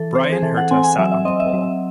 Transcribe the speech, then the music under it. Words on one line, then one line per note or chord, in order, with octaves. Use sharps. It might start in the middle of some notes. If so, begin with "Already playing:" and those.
Bryan Herta sat on the pole.
Already playing: E3 A4
C4 C5
G#4
E3 A4
F#5
C4 G#5
G#5
F#3 E5
E5
C4 D#5
E5
F#3